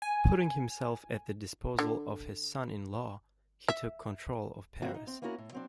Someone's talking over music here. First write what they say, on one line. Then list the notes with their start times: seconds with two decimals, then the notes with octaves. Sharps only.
Putting himself at the disposal of his son-in-law, he took control of Paris.
0.02 G#5
1.79 D3
3.68 E5
4.82 F3 G3 A#3 C4 F#4 E5
4.94 D#4
5.07 C4
5.22 A#3 B3 C#4 E4 F#4 A#4
5.38 A2
5.52 F#3 C4 D4